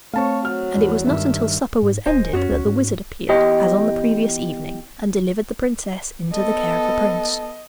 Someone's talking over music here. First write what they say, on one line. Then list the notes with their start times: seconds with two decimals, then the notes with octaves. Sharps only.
And it was not until supper was ended that the wizard appeared, as on the previous evening, and delivered the princess into the care of the prince.
0.14 A3 C4 C#5 F5 A5 C#6
0.45 F#3 F6
0.76 E2 G#3
1.07 G2 D#3 E5
1.82 G#2
2.06 D1 C5 D#5 G#5
2.33 F#2 C#4 D4 F#4
2.50 D2
2.65 G#2
3.29 E2 G4 D#5
6.33 B3 A4 D#5